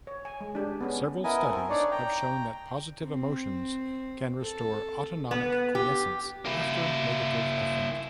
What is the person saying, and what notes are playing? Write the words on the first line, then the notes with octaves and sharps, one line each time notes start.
Several studies have shown that positive emotions can restore autonomic quiescence after negative affect.
C#5
G#5
G#3
D4 G4 G#4
B3 C#4 G#4
B3 E4 A#4 D#5 G#5
C4 A4 A#4
D4 D#4 C#5 D5
G5 A#5
C4
A4
B3
G4
A#3 E4